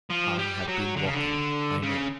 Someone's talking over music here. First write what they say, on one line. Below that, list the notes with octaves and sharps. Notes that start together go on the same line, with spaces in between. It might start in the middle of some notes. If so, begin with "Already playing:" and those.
I have been walking, I know.
F3
G3
F#3
D3
C#3
D3
C#3